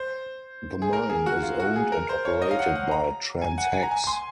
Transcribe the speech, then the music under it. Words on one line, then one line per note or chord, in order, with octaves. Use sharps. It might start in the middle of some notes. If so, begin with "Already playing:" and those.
The mine is owned and operated by Trans Hex.
Already playing: C5
G#4
A#4
G#4
F#4
F4
F#4
G#4
A#4
C5
C#5
D#5
F5
F#5
F#5
A#5
G#5
F#5
G#5
A#5
G#5
C6